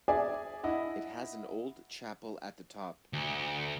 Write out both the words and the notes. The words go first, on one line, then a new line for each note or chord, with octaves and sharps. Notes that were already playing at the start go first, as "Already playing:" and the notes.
It has an old chapel at the top.
G#4 D5 E5 G#5
E4 D#5 F#5
D2